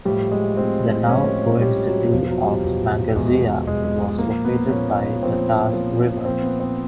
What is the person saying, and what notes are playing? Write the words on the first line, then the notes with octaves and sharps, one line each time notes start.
The now ruined city of Mangazeya was located by the Taz River.
A2 F3 G3
G#3
A2 F3 C4
A2 F3 C#4
A2 F3 G3
F#3
E2 B2 F3
F#3
G3
E2 B2
E2 B2 G#3
E2 B2 G#3
G#3
G#3
A#2 F3 A#3
B3
A#2 F3 C#4
A#2 F3 C4
A#2 F3
A#2 F3 C4
B3
C4